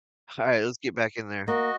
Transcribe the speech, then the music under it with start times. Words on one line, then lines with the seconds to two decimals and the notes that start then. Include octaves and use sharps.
Alright, let's get back in there.
1.48 A#3 F#4 D#5